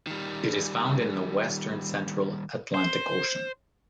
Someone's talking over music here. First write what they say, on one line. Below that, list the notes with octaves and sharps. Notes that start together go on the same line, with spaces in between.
It is found in the western central Atlantic Ocean.
D#3 G3
C5